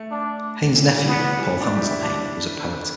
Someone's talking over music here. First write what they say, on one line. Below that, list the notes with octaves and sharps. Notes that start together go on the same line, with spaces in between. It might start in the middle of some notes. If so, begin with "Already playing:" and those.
Hayne's nephew, Paul Hamilton Hayne, was a poet.
Already playing: A3
D4
E3
G3
B3
E3
G3
D4
G4
E4
D4